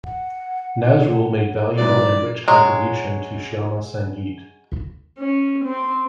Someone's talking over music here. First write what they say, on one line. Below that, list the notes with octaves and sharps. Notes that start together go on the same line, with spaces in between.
Nazrul made valuable and rich contribution to Shyama Sangeet.
F#5
G#2 E3 F#3 D5
F#3 G#3
C#4
C4